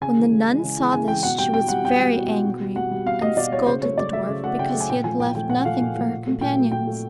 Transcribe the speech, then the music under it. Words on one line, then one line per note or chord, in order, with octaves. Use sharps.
When the nun saw this she was very angry, and scolded the dwarf because he had left nothing for her companions.
C#3 G#5
E3 G#3
C#3
E3 G#3
C#3
E3 G#3
C#3 G#5
E3 G#3 G5
B2 F#5
G3 G5
B2 G5
G3 F#5
B2 G5
G3
B2
G3
B2
G3
B2 F#5
G3
B2 F5
G3 D#5
B2 D5
G3 C#5
C#3 C5
F#3 A3 C#5
C#3 D5
F#3 A3 E5
C#3
F#3 A3 F#5
C#3 G5
F#3 A3
G#5
A#2 G5
F3 A3 G#5
A#2 G5
F3 A3 G5
A#2 F#5
F3 A3 F5
A#2
F3 A3
A#2
F#3 A3
A#2 G5
F#3 A3
A#2 G5
F#3 A3